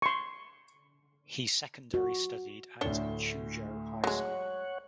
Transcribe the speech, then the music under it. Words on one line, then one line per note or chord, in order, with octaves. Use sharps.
He secondary studied at Chuzhou High School.
C6 C#6
F#4
D2 A2 D4 C#5 G7
F#3 G#3 C#5 F#5